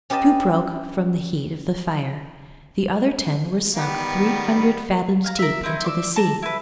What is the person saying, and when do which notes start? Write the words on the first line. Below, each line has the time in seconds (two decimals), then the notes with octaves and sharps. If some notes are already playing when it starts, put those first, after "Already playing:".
Two broke, from the heat of the fire; the other ten were sunk three hundred fathoms deep into the sea.
0.10 C#4 G4 B4 D#5 A5
3.76 D#3 G3 B3
5.24 F5 G#5 A#5
5.39 A#4 E5
5.63 C4 D#4 E4
5.84 D5 C6 E6
6.16 A5 A#5
6.42 E4 B4